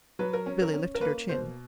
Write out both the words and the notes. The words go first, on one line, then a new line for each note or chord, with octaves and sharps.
Billy lifted her chin.
F#3 B4
A#4
C#4
A#4
C#4
A#4
A#3 B4
B2 C5